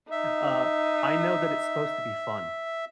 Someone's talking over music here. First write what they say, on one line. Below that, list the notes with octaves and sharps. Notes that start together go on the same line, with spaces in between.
uh, I know that it's supposed to be fun,
D#4 E5